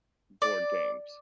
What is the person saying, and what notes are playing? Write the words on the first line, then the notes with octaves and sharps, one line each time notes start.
board games.
D5